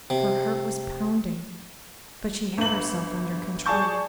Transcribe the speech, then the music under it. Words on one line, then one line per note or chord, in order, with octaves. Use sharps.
Her heart was pounding, but she had herself under control.
C3
G1 F#7
G#4 D5 A5 C#6 G6